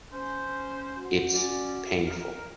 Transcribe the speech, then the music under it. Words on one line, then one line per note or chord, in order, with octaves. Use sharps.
It’s painful.
C#4 C5
F#4
C#4 D5
A#4